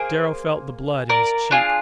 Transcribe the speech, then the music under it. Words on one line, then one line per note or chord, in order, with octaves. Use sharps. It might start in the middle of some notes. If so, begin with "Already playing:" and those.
Darrow felt the blood in his cheek.
Already playing: A#3 G#4 C5
A#4 D5
D4 F4 G#4